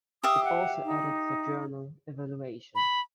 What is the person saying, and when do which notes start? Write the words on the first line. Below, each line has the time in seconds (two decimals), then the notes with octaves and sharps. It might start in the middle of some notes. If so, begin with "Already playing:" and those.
It also edits the journal "Evaluation".
0.24 G4 E5 F5 D#6
0.44 F#5
0.85 D#4
2.75 B5